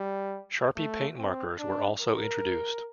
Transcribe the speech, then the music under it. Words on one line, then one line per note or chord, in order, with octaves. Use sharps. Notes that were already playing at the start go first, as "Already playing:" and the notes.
Sharpie Paint markers were also introduced.
Already playing: G3
A3
C4
D4
A#4